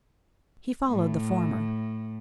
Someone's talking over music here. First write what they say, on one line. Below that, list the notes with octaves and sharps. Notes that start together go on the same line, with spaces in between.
He followed the former.
A2